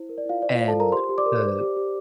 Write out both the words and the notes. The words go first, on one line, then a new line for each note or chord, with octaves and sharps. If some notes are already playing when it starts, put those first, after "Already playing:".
And the
Already playing: E4 C5
A#4
D5
E4 F4 F5
C5 D5
F4 F5
C5
A4 A5
F4 A#4 A#5
G4 C5 C6
G4
D5 D6
A#4
C5
G4
G4